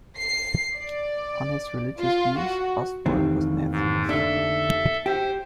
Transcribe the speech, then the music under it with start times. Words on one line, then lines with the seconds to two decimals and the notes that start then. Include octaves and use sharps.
On his religious views, Ostwald was an atheist.
0.17 C7
0.75 D5
1.99 F4
2.38 F#4
3.06 F1 D#2 D#3 E3 C4 G4
3.72 G#2
4.09 D3 D4 A4 E5
5.06 G4 C5